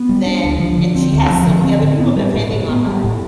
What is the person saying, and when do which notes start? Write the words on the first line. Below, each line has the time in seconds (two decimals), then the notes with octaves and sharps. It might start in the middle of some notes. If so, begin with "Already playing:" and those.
than and she has so many other people depending on her,
Already playing: B3
0.09 G3
0.26 D4
0.44 D2
0.60 F3
0.77 D3
0.95 C4
1.13 D2
1.30 F3
1.48 D3
1.64 C4
1.82 A2
2.00 B3
2.16 G3
2.34 A2
2.51 A2
2.69 B3
2.86 G3
3.04 A2